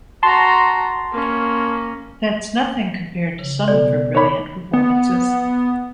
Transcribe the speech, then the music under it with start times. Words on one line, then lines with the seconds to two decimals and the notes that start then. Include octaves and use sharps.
That's nothing compared to some of her brilliant performances.
0.23 F#4 A5 A#5 C6
1.12 A#3 C#4
3.39 C#3
3.68 B2 B3 A4 D5
4.15 D#4 C#5 B5 D6
4.73 B3